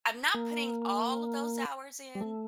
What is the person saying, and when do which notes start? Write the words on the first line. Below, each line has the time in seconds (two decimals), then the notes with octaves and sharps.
I'm not putting all of those hours in,
0.34 A#3
2.15 G3
2.21 A3